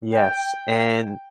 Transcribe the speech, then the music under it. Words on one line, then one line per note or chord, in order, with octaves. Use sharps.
Yes, and
G5